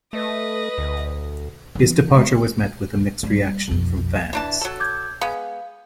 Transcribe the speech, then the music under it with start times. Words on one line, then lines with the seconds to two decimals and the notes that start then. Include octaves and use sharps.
His departure was met with a mixed reaction from fans.
0.13 A3 B4 D#5
0.78 D2
1.75 D#3 E3
2.14 G#3
3.23 G3 A#3
3.68 B1 F2
4.33 E3 D4 A5
4.61 F#3 A4
4.80 D6 G6 G#6
5.21 G#3 B3 F5